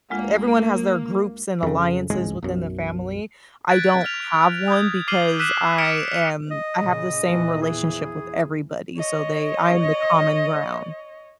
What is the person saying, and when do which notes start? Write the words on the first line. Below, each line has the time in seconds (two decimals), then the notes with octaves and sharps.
everyone has their groups and alliances within the family, I don't have one because I am I have the same relationship with everybody, so they I'm the common ground.
0.10 D2 G#3 A#3 F4
1.63 F2 C#3
2.10 D1 G#1 C#2 G#3
2.43 B1 F#2
3.68 F#6 G#6 A6 B6 D7
4.04 F6 F7
4.68 D#6 G6 G#6
5.08 D6 F6 C7 D#7 F#7 G7
5.39 E6 F#6 B6 D#7 E7
5.78 F6 B6 C#7 D7 E7 F7
6.51 D#5
6.80 A#2 C#3
7.27 A#1 E2 E3
7.62 G#4
8.98 C#5 D#5